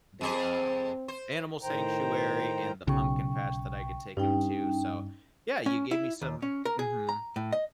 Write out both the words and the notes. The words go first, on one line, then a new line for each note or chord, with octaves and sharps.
the, um, animal sanctuary and the pumpkin patch that I could take him to. So, yeah, you gave me some mhm.
F2 C4 G#4 C5
C5
A2 D#3 C5 G5 A#5
B1 C#3 G5 C#6
G2 C#4 D#4 G5
C#4
E4
D#2
C#4
A#4
G#4
A#5
A2
D#5